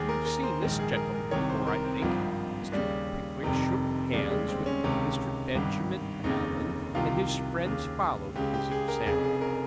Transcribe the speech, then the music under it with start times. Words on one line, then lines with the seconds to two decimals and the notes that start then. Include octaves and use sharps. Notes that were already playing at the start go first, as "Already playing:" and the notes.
You've seen this gentleman before, I think?' Mr. Pickwick shook hands with Mr. Benjamin Allen, and his friends followed his example.
Already playing: D#2 D#3 G#4
0.09 A#4
0.26 A#4
0.43 C5
0.62 A#1 G#2 D#3
0.79 G#4
0.96 A#4
1.14 A#4
1.31 C2 C3 D#3 C#5
1.50 C5
1.67 A#4
1.85 C4
2.02 G#1 G2 D#3 F3
2.72 D#2 C#3 G3
3.43 F1 F2 C3 D#3
4.13 D#2 C#3 G3
4.30 G#3
4.48 C4
4.66 C#4
4.84 C#2 C3 D#3 C#4
5.55 G#1 G2 D#3
6.24 F1 D#2 C#3 D#4
6.95 C2 C3 D#3 F4
7.66 D#2 C#3
8.36 C#2 C#3 G4
8.54 G4
8.71 G#4
8.88 A#4
9.06 F1 F2 C#3 G#4
9.24 G#4
9.41 A#4